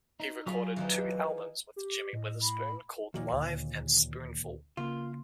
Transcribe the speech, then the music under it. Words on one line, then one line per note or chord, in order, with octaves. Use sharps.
He recorded two albums with Jimmy Witherspoon called "Live" and "Spoonful".
D#4
F#3 F4 G#4 B5
E3 F3 D#4
G4
A2 D#5
B5
D#2 A#2 F3 F#4
D2 D3
C#3 A#3 F4 C6